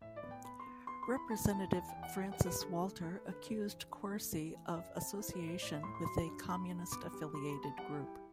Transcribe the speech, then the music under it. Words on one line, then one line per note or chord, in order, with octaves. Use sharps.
Representative Francis Walter accused Corsi of association with a Communist-affiliated group.
A2 E5
D5
B3
G5
B3 B5
C6
B3
B3 C6
C6
E4
B5
B3 A5
E4 A5
E2 A5
G5
E2
F#5
G3 G5
F#5
G3
B4
D3 A4
A3
A3 A4
B4
D3
B4
G2 C5
E3
D4
A3
C4
E3
F#2 E5
C4 A5
E4 C5
B4
A2
C5
A2 D5
E5
A2 C6
C6
F#3 C6
G2
G2 B5
G2
B3 D6
G3
G3 C6
B5
B3
A5
G3 F#5
G5
E4
G5